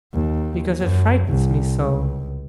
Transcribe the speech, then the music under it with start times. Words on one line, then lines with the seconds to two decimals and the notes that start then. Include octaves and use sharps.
'Because it frightens me so!'
0.14 D#2
0.80 F#2
1.28 C2
1.80 C#2